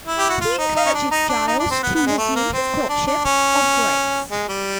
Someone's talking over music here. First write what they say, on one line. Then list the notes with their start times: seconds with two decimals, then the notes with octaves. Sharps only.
He encourages Giles to resume his courtship of Grace.
0.05 E4
0.19 G4
0.29 F#4
0.41 F4
0.58 D#4
0.76 D#4
0.86 C#4
0.94 D4
1.11 D#4
1.29 D4
1.47 D#4
1.59 D4
1.71 C4
1.83 B3
1.95 B3
2.06 G#3
2.18 A3
2.36 A#3
2.53 C4
2.89 D4
3.07 D4
3.25 C#4
4.31 G#3
4.48 G3